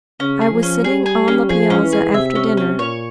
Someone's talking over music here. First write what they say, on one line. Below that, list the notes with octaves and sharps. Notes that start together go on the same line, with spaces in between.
I was sitting on the piazza after dinner.
C#3 C#4
G#4
F3
C#4
G3 G#4
G#4
C#4
F3 G#4
C#4
E3
G#4
C3 E5
C#4
C#4
A#2 C#5